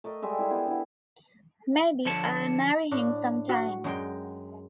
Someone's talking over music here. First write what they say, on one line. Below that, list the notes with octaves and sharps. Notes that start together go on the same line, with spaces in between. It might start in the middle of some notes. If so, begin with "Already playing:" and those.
Maybe I'll marry him some time.
A3 A#4 D#5
G3 G#3 E5
E4 G#4 A#4
B3 E4 G4
D3 E4
D3 F3 C#5 A5
A2 D4
F#4
F#2 G#3 G5